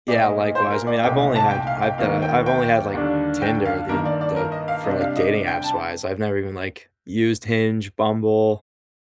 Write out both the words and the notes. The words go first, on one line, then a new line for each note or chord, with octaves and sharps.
Yeah, likewise, I mean, I've only had I've done I've only had, like, Tinder, the en the for, like, dating apps wise. I've never even, like, used Hinge, Bumble
A#2 A3 D#4 D5
D#5
D#5
C5
A#4
D5
C2 A#2 A3 D#4 G5
A5
G5
F5
G5
D#2 D#3 A#3 F5
G5
G5
D#2 D3 G3 D4
G5
F5
G2 D#3 A#3 A#4
D5
D5
A#4
D#5
F5
C3 G3 D4 D#5
F5
D#5
G5
A5